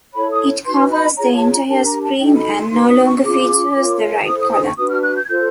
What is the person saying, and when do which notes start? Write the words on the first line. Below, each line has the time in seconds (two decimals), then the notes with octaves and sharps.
It covers the entire screen and no longer features the right column.
0.14 E4 A4 C#5 B5
0.31 D#6
0.66 D#4 F#4 B4 C6
0.91 B5
1.17 F4 G#4 C#5 A#5
1.34 A5
1.51 A#5
1.68 D4 G4 A#4 A5
1.85 A#5
2.03 A5
2.19 D#4 F#4 A4 G5
2.37 B5
2.54 C6
2.71 D#4 F#4 B4 C6
2.88 D#6
3.06 C#6
3.23 C#4 F4 G#4 D6
3.74 F4 A#4 C#5
4.25 E4 A4 C5 D#6
4.38 D#6
4.51 D#6
4.64 C#6
4.77 D4 F#4 B4 D#6
4.90 F6
5.03 F#6
5.15 G6
5.24 G#6
5.28 F4 A4 C5 G6